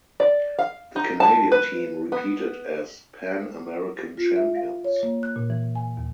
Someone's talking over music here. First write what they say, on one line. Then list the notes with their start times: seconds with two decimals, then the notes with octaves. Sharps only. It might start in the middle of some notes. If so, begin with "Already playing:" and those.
The Canadian team repeated as Pan American Champions.
0.20 D5
0.59 F5
0.96 D#4
1.20 A5
1.52 B4
2.12 B3
4.17 F4
4.36 E5
4.56 F5
4.85 C#5
5.03 A#3
5.23 F#6
5.36 A#2
5.50 E3
5.75 G#5
5.97 D#2